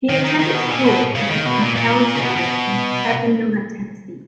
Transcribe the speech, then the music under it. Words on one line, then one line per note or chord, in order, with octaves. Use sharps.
He attended school at The McCallie School in Chattanooga, Tennessee.
D#3
D#3
D#3
B2
A#2
B2
C#3
D#3
B2
A#2
A#2
C#3
B2
B2